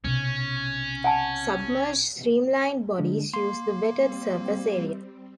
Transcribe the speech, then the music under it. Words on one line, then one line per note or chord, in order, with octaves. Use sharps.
Submerged streamlined bodies use the wetted surface area.
B1 C3 C#4
F#5 G#5 A5
D3 G#3 D4
A#3 C6
G3 C4